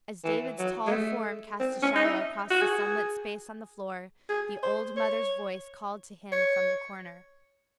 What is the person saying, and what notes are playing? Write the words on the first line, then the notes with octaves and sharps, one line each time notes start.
As David's tall form cast a shadow across the sunlit space on the floor, the old mother's voice called to him from the corner.
E3
F#3
G#3
A3
C4
C#4
D#4
E4
F#4
G#4
G#4
C5
C#5
C#5